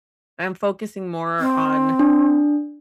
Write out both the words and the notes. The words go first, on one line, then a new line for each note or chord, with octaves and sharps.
I'm focusing more on
C4
D4